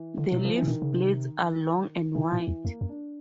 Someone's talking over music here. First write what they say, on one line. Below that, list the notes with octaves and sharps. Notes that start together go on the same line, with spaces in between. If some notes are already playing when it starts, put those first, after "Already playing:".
The leaf blades are long and wide.
Already playing: E3
D3
B2 F#3
C3 F3
E3
C3
B2 D#3
C#3
C3
C3 E3
A#2
E3
E2
F2 A#3
F#2
D4